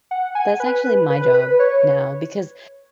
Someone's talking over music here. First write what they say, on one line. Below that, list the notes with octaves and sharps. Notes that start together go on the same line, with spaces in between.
that's actually my job now because
F#5
G#5
B4
B4
B4
C#5